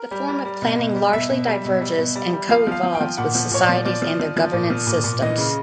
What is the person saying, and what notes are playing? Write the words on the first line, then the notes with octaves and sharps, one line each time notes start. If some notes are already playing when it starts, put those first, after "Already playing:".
The form of planning largely diverges and co-evolves with societies and their governance systems.
Already playing: A#4
G3
G3
G3
B2
B2
G3
B2 E5
B2
G3
B2
G3
B2
G3
G3
F3 F5
F3 F5
F3
G5
F3
A#2 F#5
F3
A#2 C#5
D5
F3
F3 D5
F3
F3
F3
A#2
F3
A#2
A#2
E3 D#5
C#3